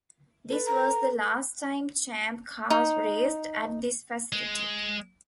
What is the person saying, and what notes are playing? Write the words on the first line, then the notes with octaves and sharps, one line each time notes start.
This was the last time Champ Cars raced at this facility.
A4 B4
A#5
D#4
G#3